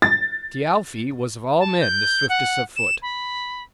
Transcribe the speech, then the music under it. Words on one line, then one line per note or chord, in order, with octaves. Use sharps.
Thialfi was of all men the swiftest of foot.
A6
A5
G6
F#5
E7
B5